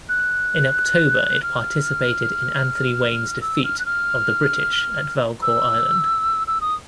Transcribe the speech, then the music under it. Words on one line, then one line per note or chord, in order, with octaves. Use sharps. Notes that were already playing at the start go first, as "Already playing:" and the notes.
In October it participated in Anthony Wayne's defeat of the British at Valcour Island.
F#6
F6
E6
F6
F#6
F6
E6
E6
D#6